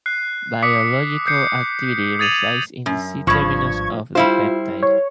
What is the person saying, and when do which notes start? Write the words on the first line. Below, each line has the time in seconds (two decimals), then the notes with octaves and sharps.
Biological activity resides in the C-terminus of the peptide.
0.06 F#6 C7
0.63 D6 D#6 B6 C#7
1.27 G6 C7 C#7
2.19 D#6 G#6 A6 D#7 F7 F#7
2.86 F#2
3.27 G#1 G2 F3 C#6 G#6
4.15 G3 E4 F4 C5
4.83 C#5